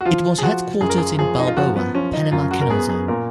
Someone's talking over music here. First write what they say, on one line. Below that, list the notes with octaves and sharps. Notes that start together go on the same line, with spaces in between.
It was headquartered in Balboa, Panama Canal Zone.
F#4
F3 F4
G#4
F3 F#4
F#2 G#4
A#4
G#4
F3 G#4
D#4
F4
F3 F#4
B3
F3 C#4
D#4
F#2 F4
F#4
A#4
B3 G#4
G#4
A#2 A#4